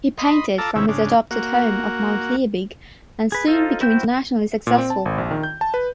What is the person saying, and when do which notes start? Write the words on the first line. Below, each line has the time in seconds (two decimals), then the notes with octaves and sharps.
He painted from his adopted home of Mount Liebig and soon became internationally successful.
0.18 D#5 B5 C6
0.58 F4 A4 A5 A#5 D6 E6
0.75 D#2 C3 C#4 E4
0.88 G#2 C#3 D4
1.31 A#3 F#4
3.32 G#4 B4
3.47 D#4 F4 A4 C5 F5
3.81 E4 F#4 C5 G5 G6
4.67 A#2
4.78 C4
4.90 A5
5.05 G#1
5.18 A#1
5.31 D#3
5.43 G6
5.61 A5
5.74 B4